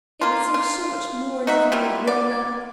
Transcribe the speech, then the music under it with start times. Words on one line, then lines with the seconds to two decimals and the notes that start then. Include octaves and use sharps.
It would seem so much more as if we were grown up.
0.21 A#3 F4
0.54 F4
1.47 D#4 F#4 E5
1.72 G3 E4 F4
2.07 D5